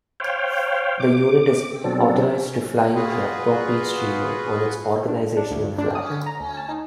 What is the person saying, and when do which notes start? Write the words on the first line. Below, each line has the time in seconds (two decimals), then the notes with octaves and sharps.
The unit is authorized to fly the appropriate streamer on its organizational flag.
0.20 C5 C#5 F5 G5
1.00 D6
1.84 B2 F#3 C4 D4 A4
2.95 F4 F#4 G#4 B4
5.08 D4
5.37 D4
5.51 D2
5.64 G2
5.78 D4
5.95 D#6
6.10 D3
6.26 A#5
6.40 D2
6.57 A5
6.69 D#4